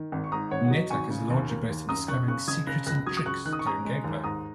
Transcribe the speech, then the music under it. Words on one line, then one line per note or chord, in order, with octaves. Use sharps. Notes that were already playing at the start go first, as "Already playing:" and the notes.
"NetHack" is largely based on discovering secrets and tricks during gameplay.
Already playing: D#3
G#1
C#6
G#2 A#5 D#6
G#1 C#5 F#5
F#5
F#3 D#5
G#1 G#5 C#6
C#3
D#2
A#3
D#2
F#2 A#5 D#6
F#1 C#6 F#6
C#3 C#6 F#6
F#1 D#6 G#6
C#3 F#6 A#6
C#2 F#6 A#6
F#3 D#6 G#6
D#6
C#2 C#6 F#6
D#3 F#6
D#6
C#6
C#4 A#5 D#6
G#3
D#2
G#2 A#5 D#6